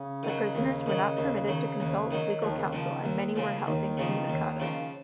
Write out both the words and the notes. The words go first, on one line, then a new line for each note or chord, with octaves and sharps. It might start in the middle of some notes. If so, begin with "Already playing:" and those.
The prisoners were not permitted to consult legal counsel, and many were held incommunicado.
Already playing: C#3
D#3
F#3
D#2
D#3 F#3
D#2
D#3 F#3
D#2
D#3 F#3
D#2 F3
D#3
C#3
D#3
C#3 F3
D#2
C#3 F3
D#2 D#3
C#3 F3
D#2
C#3 F3